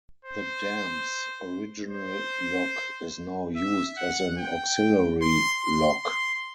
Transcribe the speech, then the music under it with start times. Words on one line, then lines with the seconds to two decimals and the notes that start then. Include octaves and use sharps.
The dam's original lock is now used as an auxiliary lock.
0.25 C5
1.90 C5
3.56 E5
3.97 F#5
4.38 G5
5.22 C6
5.63 C6
6.04 C6